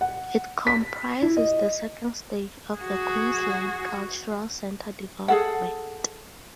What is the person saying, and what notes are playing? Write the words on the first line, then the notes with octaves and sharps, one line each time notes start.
It comprises the second stage of the Queensland Cultural Centre development.
F#5
B6
E4
D#5
F#4 G#4
G#4 A4 F#5